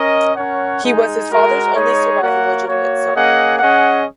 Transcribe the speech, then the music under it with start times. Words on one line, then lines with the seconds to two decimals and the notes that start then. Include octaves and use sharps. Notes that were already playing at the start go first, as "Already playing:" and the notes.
He was his father's only surviving legitimate son.
Already playing: C#4 A#4 D#5
0.36 C#4 A#4 C#5 F#5
0.81 G#3 D#4 G#4
1.28 G#3 F#4 A#4
1.75 G#3 D#4 G#4 C#5
2.21 A#3 F#4 A#4 C#5 F#5
2.67 A#3 F#4 C#5
3.13 A#3 C#4 G#4 D#5 F#5
3.59 C#4 G#4 D#5 F#5